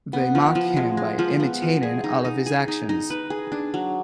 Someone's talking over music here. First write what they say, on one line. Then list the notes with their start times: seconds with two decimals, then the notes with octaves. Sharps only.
They mocked him by imitating all of his actions.
0.13 B3
0.35 F3
0.55 F3
0.77 G#3
0.97 G#3
1.19 F3
1.40 B3
1.62 F3
1.83 G#4
2.04 D#4
2.25 D#4
2.46 G#4
2.68 D#4
2.89 D#4
3.10 B4
3.30 G#4
3.52 D4
3.74 F#3